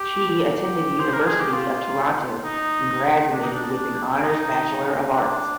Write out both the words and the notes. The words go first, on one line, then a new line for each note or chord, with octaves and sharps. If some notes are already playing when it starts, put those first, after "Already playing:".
She attended University of Toronto and graduated with an Honours Bachelor of Arts.
Already playing: G4
G4
C5
A#4
G#4
G4
F4
D#4
D4
D#4
D4
D#4
D4